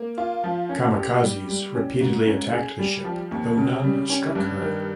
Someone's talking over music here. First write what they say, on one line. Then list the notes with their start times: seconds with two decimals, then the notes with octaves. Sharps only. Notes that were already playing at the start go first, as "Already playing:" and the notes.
Kamikazes repeatedly attacked the ship, though none struck her.
Already playing: A#3
0.18 F4
0.44 F3
0.69 C#4
0.96 G4
1.22 G3
1.48 G3
1.75 C#4
2.01 G#2
2.26 C#4
2.53 G#4
2.79 G3
3.04 F3
3.31 D#2
3.57 C#3
3.84 G3
4.10 C#4
4.35 G2
4.61 D#3